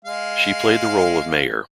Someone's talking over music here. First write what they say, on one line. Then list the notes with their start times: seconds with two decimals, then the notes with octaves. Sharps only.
She played the role of mayor.
0.05 G#3 F5